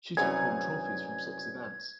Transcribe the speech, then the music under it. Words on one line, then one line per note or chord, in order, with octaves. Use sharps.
She took home trophies from six events.
C2 F#2 G#4 B4 C#5 G#6